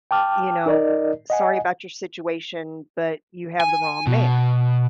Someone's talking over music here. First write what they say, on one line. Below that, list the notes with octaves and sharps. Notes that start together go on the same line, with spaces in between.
you know, "Sorry about your situation, but you have the wrong man"
G5 A5 D6 F6
D#4 A#4 D5 D#5
D#5 F#5 G#5
G#5
B2